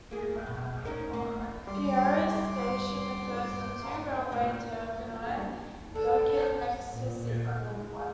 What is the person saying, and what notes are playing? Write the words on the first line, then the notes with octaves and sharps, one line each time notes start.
Piraeus station refers to the two railway termini located next to the seaport.
A#3 G#4
B2
C#4 D#4 A#4
A#3
E2
G3 C6 D6
D2 A#2 A#3
D3 A4
A#2
G#3